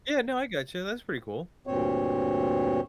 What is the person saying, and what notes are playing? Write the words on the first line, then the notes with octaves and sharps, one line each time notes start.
Yeah, no, I gotcha, that's pretty cool.
D2 G2 A#2 C4 C#5